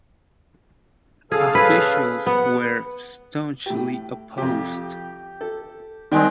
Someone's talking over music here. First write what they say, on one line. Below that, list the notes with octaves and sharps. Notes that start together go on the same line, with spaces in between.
Officials were staunchly opposed.
C#3 G#4 A4 F5
G#4 B4
B3 F#5
A2 G4
F2 C3 G4
A4
D#3 G3 G#3 C4 D#4 G5